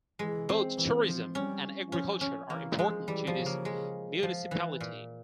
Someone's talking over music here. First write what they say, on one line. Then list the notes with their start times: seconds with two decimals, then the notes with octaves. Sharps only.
Both tourism and agriculture are important to this municipality.
0.19 E3 G#3
0.49 C4
0.78 E3
1.06 F3
1.35 G3 C#4
1.92 F3 C#4
2.21 C#4
2.50 E3 A#3
2.78 F3 G#3
3.08 E3 G3
3.27 F3
3.36 C#3
3.46 A#3
3.65 G#3
4.23 F3
4.51 E3
4.80 A#2